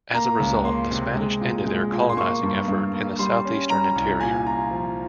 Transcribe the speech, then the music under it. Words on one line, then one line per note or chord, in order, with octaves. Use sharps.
As a result, the Spanish ended their colonizing effort in the southeastern interior.
A#3 A#5
C#2
A#3 C6
C3
G#3
A#2
G#3
A#2
C6
A#3 C#6
G2
G2
A#3
G3 C6
C#4
G3 A#5
C2
A#2 G#5
F4 A#5
F3